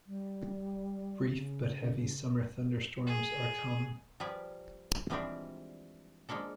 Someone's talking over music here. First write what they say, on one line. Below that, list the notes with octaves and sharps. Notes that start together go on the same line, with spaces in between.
Brief, but heavy summer thunderstorms are common.
G3
C#3
G#4
F3 G3 G#4 B4 D5
E3 F3 G3 G#3 C4 D4
F3 G#3 A#3 D4 A4